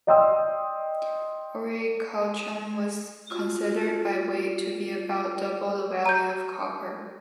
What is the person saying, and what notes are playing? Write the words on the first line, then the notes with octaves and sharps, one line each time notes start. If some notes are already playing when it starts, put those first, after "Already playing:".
Orichalcum was considered, by weight, to be about double the value of copper.
D5 D#5 G5 C6 D#6 E6
F4 F#4
A#5 G6